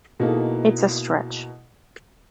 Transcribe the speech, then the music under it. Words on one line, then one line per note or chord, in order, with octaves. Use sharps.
It's a stretch.
B2 A#3 D#4 E4 G#4 A4